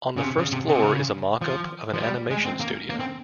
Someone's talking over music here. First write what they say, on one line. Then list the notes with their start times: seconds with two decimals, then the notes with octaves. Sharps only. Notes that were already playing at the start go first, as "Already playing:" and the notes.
On the first floor is a mock-up of an animation studio.
0.17 C#3
0.23 C3
0.38 C#3
0.52 C3
0.68 C#3
0.75 C3
0.83 C#3
1.41 F3
1.94 F3
2.00 G3
2.30 G#3
2.45 C4
2.60 A#3
2.89 A#3
2.99 C4